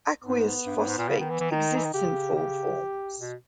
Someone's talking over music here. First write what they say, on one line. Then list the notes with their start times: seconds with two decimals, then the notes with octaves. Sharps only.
Aqueous phosphate exists in four forms.
0.24 G#2 B3
0.66 G2
0.76 G2
0.87 G#2
0.98 A#2
1.08 C#3
1.19 D#3
1.30 E3
1.40 E3
1.50 D#3 D#4
1.76 E3
1.84 D#3
1.93 C#3 G4
2.36 G4
3.19 B2